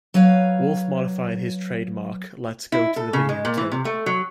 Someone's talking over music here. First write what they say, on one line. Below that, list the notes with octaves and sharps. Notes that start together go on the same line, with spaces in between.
Wolf modified his trademark Let's go to the videotape!
F#3 B4 C#5 F5
E4
A4
C#3
G#3
A#2
E3
C3
A3
F#3